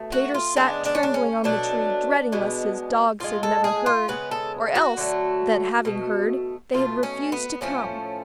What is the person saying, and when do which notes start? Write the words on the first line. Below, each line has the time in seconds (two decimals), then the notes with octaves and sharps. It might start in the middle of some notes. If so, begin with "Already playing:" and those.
Peter sat trembling on the tree dreading lest his dogs had never heard, or else that, having heard, they had refused to come.
Already playing: B2 A3
0.12 F#4
0.34 F4
0.56 C#3 G#3 B3 D4
0.85 D4
0.95 C#4
1.03 D4
1.14 C#4
1.44 B2 F#3 A3 D4
2.32 B2 G#3 B3
3.20 A2 F3 G#3 F4
3.43 A4
3.64 G#4
3.86 F4
4.08 C#3 G#3 B3 B4
4.31 A4
4.75 F#4
4.97 D3 F#3 A3
5.85 B2 A3
6.73 B2 A3 F4
7.03 C#4
7.32 B3
7.61 A2 F3 A3 C#4